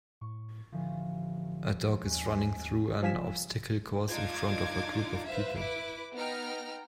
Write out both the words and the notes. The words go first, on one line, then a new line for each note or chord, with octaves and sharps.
A dog is running through an obstacle course in front of a group of people.
A2 C#6
A1 D3 F3
D#2 G#3 C#4
F3 F5 G#5 B6 E7
D4 D#4 F4 D6 G#6
B4 C5 E5 F5
E4 B4 D6
B3 D#4 G5 A#5 F6